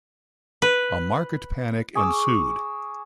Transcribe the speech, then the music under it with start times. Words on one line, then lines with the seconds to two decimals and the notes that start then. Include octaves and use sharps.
A market panic ensued.
0.62 B4
1.95 G#4 C#6 D6 E6